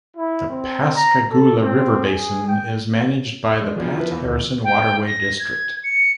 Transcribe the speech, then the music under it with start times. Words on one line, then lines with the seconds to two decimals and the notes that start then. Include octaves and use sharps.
The Pascagoula River Basin is managed by the Pat Harrison Waterway District.
0.16 E4
0.50 C4
0.95 A#5
1.31 A4
1.63 C4
2.06 G#4
2.47 G5
3.61 G#3 D5
3.76 B2 F3 D4 G#4
3.96 E4 B4
4.11 E2
4.25 D2
4.64 G5
5.06 A#6
5.39 G#6
5.84 C#7